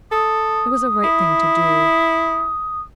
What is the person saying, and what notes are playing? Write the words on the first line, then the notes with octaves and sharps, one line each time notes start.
It was a right thing to do.
A4 D#6
E4